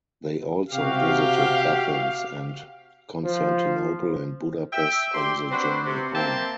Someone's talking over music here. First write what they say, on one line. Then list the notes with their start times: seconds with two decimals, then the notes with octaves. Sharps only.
They also visited Athens and Constantinople and Budapest on the journey home.
0.73 C3 F#4 G4 F5
3.24 F3
4.72 E5 G5
5.14 G4 D5 C6
5.51 C4 D4 F#4 B4 C5
5.85 C3
6.15 A#3 C4 E5 G5 A5